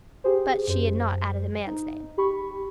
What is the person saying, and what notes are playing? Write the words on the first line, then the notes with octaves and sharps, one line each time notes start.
But she had not added the man's name.
G4 G#4 C5
F#2 C5
D#4
G4 B5 C#6